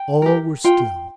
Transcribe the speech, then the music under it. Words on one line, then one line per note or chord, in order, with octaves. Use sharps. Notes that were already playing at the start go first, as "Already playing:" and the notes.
All were still.
Already playing: G5
G4 A#4
F4 G5